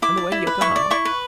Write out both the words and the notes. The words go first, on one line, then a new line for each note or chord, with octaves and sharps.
"On the way to Yokohama?"
E4 D6
D5
E4
B4
E4 C#6
D5
E4 C#6
B4